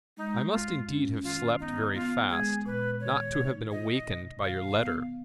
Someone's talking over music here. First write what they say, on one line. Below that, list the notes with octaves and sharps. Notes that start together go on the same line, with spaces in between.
'I must indeed have slept very fast, not to have been awakened by your letter.
G#3 D#4
F#2 F4
C#4
D#3 F4
B3 D#4
B3 F4
G#3 G#4
A#2 B4
D#3 C#5
D#4
F4 D#5
B2
D#3 F5
B3